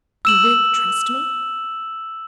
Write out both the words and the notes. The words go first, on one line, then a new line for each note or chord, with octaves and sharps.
"You WILL trust me?"
E6 E7 F#7